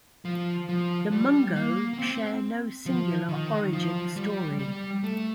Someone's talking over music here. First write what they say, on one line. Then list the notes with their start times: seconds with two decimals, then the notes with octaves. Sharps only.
The Mungo share no singular origin story.
0.25 F3
0.69 F3
1.12 G3
1.56 A#3
1.93 A#3
1.99 C4
2.86 F3
3.29 D#3
3.73 F3
4.16 G3
4.59 G3
5.04 A3